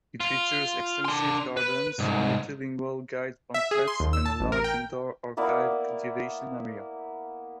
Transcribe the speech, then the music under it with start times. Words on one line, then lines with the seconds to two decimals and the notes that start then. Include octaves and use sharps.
It features extensive gardens, multi-lingual guide pamphlets, and a large indoor orchid cultivation area.
0.20 F4
1.05 D4 C6
1.57 B4
1.99 C2 G#2
3.54 E5
3.71 G#4
3.88 C6
4.00 D#2
4.13 E6
4.26 A5
4.40 A1
4.52 A#4
4.64 G5
5.37 A#3 B3 E4 D5